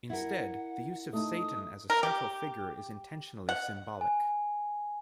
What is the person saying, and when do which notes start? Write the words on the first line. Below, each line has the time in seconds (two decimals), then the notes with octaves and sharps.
Instead, the use of Satan as a central figure is intentionally symbolic.
0.10 E4 A#4 F#5
1.13 A3 D#4 D#6
1.90 A#4
2.03 G4
3.49 F#5
4.01 G#5